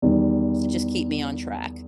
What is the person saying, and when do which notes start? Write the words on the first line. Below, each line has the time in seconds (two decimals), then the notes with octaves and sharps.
to just keep me on track.
0.02 E2 D#3 G3